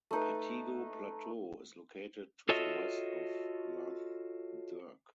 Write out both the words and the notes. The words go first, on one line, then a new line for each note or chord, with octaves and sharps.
Pettigo Plateau is located to the west of Lough Derg.
A3 D#4 B4
F4 F#4 A4 C#5 D#5 E5